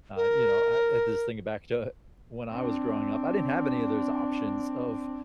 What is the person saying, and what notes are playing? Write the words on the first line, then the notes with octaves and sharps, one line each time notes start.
uh, you know, I this thing back to when I was growing up, I didn't have any of those options of,
A#4
C4 D4